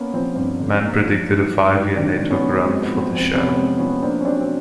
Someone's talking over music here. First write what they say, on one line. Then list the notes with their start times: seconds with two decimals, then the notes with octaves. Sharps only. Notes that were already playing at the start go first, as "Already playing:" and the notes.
Mann predicted a five-year network run for the show.
Already playing: A#3 B3 C#4
0.14 F3 C4
0.36 G2 C4
0.60 D3
0.82 A#3
1.05 F3
1.28 G#2
1.51 F#3
1.73 G#2
1.96 D#3 C4 D4
2.19 G#2
2.30 B3 C#4
2.43 F#3
2.65 G#3 C4
2.82 B3
2.87 F3
2.99 C4
3.11 F2
3.16 C4
3.33 C3 B3 C#4
3.57 G#3 C4
3.79 F3 B3 C#4
4.02 A#3 C4 D4
4.21 C#4
4.25 F#3 C4 D4
4.41 C4